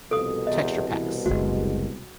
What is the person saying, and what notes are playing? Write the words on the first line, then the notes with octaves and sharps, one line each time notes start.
texture packs.
C2 F2 B2 A4 D#6
E2 D#5
E3
F#1 D2 G#3 F#4